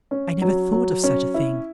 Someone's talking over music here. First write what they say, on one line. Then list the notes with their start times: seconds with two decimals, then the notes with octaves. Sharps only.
'I never thought of such a thing.'
0.11 C#4
0.42 F#3
0.72 F#3
1.04 C#4
1.34 E4